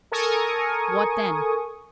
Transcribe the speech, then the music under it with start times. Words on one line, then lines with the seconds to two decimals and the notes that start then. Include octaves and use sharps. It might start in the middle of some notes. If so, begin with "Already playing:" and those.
"What then?"
0.12 A4 A#4 G#5 C#6 D#6